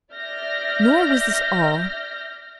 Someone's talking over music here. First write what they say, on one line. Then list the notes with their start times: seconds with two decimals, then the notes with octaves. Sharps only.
Nor was this all.
0.12 D5 E5 F6 G6 A#6